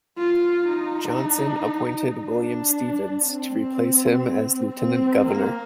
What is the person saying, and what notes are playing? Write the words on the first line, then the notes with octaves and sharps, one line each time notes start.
Johnson appointed William Stephens to replace him as lieutenant governor.
F4
D#4
D4
C4
C4
A#3